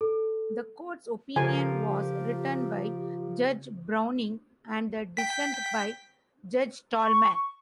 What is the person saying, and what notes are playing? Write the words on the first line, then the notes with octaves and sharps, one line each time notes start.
The court's opinion was written by Judge Browning, and the dissent by Judge Tallman.
A4
C#3 F3 F4 G4 A4 A#4 C5 G#5
G5 B6
C#6